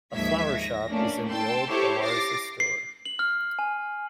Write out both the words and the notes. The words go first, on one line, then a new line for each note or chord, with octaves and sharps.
A flower shop is in the old Galarza store.
D#2 G#2 F3 E5 G#6 B6
A#6
A3 A#3 C#4 D4
G5 A5 C6 E6
E4 G4 A4 C5 C#5 C#6
D6 A6 A#6 C7
C7
F#7
F6
G#5